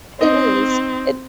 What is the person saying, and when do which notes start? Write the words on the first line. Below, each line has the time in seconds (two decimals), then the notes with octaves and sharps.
It is, and
0.21 C4 D#4 D#5